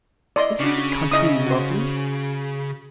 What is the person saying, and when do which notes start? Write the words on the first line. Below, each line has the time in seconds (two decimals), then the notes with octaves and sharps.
Isn't the country lovely!
0.36 E4 D5 D#5 C6
0.59 C#3 C#4 D4 F#4
1.11 D#4 E4 D#5 D#6
1.46 F#4 C5